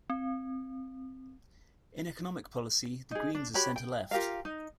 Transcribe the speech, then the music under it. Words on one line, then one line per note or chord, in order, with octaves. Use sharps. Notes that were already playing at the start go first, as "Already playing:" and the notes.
In economic policy, the greens are center-left.
C4
D#4 G#4
D4
F#4 G4 C#5 B5
G5
F4 G4 A#4 F5
D#4